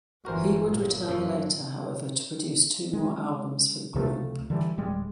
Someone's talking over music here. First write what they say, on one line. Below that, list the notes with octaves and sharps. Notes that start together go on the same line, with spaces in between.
He would return later, however, to produce two more albums for the group.
G1 E3 F#4 A#4 C5
A#2
F#2 F3
G#3
C#2 C3 F3 A3
D3 E3 G3
D1 G3 G#3